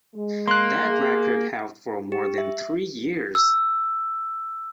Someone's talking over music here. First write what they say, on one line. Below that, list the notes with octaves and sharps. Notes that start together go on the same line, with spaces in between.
That record held for more than three years.
G#3
A#3 C6 F#6
G#4
G4
E5
E6